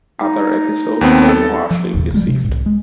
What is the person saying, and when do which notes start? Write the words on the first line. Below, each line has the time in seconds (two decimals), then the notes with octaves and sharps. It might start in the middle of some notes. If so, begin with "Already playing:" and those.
Other episodes were more harshly received.
0.21 D#4
1.01 D#2 B3 C4
1.29 A4
1.71 F3
1.94 D#1 D#2 A2 C#3
2.14 F3 G3 G#3 A#3
2.28 C3
2.44 C2 A2
2.66 G#3